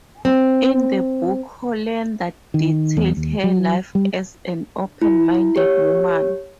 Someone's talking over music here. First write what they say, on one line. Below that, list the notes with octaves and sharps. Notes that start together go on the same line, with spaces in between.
In the book Hollander detailed her life as an open-minded woman.
C4
D#3
E2
D#2
F#3
G3
E4
G4 C#5